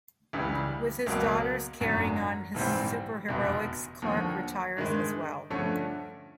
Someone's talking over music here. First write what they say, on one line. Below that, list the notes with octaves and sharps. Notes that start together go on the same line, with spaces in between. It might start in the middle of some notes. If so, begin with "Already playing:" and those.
With his daughters carrying on his superheroics, Clark retires as well.
C#2 C#3 E3 G3
C#2 B2 F#3 A#3
G#1 F#2 D3
A#1 G#2 E3 G3 C4
F1 E2 B2
D#2 D3 F3
G2 D#3 G#3
G2 D3 F3 A3 C#4